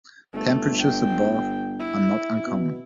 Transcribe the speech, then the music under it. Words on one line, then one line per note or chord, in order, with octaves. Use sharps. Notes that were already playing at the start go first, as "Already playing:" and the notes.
Temperatures above are not uncommon.
G1 A3
G5
E4
B2